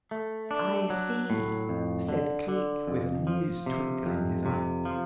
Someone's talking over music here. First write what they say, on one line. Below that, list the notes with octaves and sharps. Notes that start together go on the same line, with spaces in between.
"I see," said Cleek, with an amused twinkle in his eye.
A3
D4
F#3
A2
F2
D3
D3
F2
F3
C3
F2
C3
F3